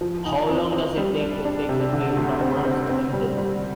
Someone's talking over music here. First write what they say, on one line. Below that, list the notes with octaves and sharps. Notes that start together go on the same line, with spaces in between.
How long does it take to take the train from Worms to Emden?
F3
D#4
C4
C4
G3
D4
D4
C3
D3
D2
C4
C4
C4
G3
G3